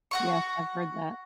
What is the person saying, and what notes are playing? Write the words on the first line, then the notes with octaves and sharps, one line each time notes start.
Yes, I've heard that.
F#4 F#5 C#6